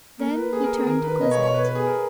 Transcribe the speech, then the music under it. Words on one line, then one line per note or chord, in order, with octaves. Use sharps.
Then he turned to Cosette.
A#3 A#4
B4
G#4
A#4
G#4
D#3 A#4
B4
B2 D#5
C#5
C#5
B4
B4
G#4
A#4